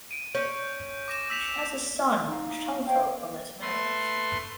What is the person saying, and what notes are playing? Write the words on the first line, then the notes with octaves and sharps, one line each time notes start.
She has a son, Sholto, from this marriage.
D7 D#7
C#4 G6
D6 A#6 E7
E6 B6 F7
D#4 F5
C5 C#5 F5 G5
A3 B4 C6